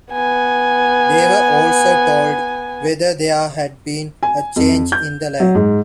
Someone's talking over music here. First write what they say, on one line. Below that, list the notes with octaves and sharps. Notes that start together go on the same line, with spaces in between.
They were also told whether there had been a change in the lead.
B3 G#5
G#5
F2
G6
F#3
G#2